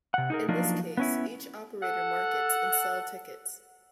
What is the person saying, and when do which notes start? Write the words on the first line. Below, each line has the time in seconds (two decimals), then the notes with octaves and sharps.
In this case each operator markets and sell tickets.
0.14 C3 F#5
0.30 D#4 G#4 A#4
0.49 F3 F#3 A#3 D4 D#4 F4
0.97 B3 C#4 E4
1.81 A4 F#5